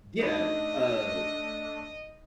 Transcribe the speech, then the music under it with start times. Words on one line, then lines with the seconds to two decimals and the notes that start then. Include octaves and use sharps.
Yeah. Uh,
0.19 A3 D4 D#4 D#5 B5